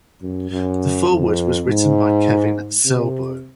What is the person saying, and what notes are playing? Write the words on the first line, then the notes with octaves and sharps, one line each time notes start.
The foreword was written by Kevin Sorbo.
F#2
F#2
F2
G#2
C3